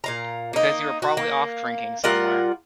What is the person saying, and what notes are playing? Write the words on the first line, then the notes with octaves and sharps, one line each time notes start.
Because you were probably off drinking somewhere.
A#2 F5 A#5
A#3 D#4
F#4
A#3
G3 F4 A#4 F#5